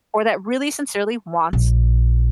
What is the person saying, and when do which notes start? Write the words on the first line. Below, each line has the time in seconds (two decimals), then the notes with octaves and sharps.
or that really sincerely wants
1.53 A#1